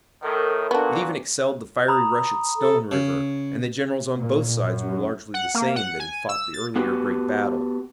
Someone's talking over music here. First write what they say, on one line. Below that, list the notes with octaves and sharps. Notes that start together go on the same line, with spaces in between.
It even excelled the fiery rush at Stone River, and the generals on both sides were largely the same that had fought the earlier great battle.
A2 D#3 A4 A#4 D6
A#2 B3 D4 F#4
A#5 B5 D#6
A4
C#3
A#2
F#2
F#5
A#3
F#5
G#5
E6
A6
B3 F#4 G4 B4